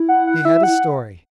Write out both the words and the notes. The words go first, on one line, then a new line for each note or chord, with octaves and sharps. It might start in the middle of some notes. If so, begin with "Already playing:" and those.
He had his story.
Already playing: E4
F#5
F#5
E4 E5
E4 F#5